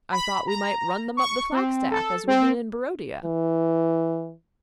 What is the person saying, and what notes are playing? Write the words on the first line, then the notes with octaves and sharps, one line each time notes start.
"I thought we might run them up the flagstaff, as we did in Barodia."
B5
A#5
C#6
C4
A4
C4
E3